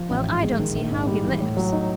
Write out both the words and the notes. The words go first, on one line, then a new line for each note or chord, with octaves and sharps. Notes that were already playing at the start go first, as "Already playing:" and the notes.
"Well, I don't see how he lives!"
Already playing: F3
A1
G#2
G#3
D#3
A#1
G#2
G3
E3
A2
F#3
D#4